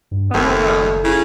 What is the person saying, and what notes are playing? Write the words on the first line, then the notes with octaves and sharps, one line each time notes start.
I don't know.
G2
F#1 D#2 A3
C#3 E4